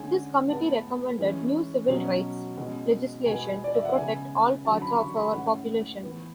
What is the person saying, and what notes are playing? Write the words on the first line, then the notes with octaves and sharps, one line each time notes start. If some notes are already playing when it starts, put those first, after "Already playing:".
This committee recommended new Civil Rights legislation to protect "all parts of our population".
Already playing: D3 G#3 C#4 G#5
A2 G#3 B3 A5
E3 G#3 C#4
B2 F#3 C#4
B2 G#3 C#4
B2 G#3 B3 G#5
D5
E5
F#5
C#3 G#3 B3 G#5
D3 F#3 C#4 A5
B5
C#6
B5
A2 G#3 C#4 F#5
E3 B3